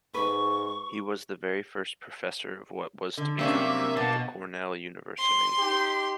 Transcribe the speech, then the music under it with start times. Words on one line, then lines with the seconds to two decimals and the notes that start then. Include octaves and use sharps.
He was the very first professor of what was to become the Cornell University.
0.14 G#2 B4 C#6
3.17 D3
3.39 C3 G3 A#3 C#4 D4 E5
3.97 B2 B3 A5
5.18 C6
5.58 D#4 G4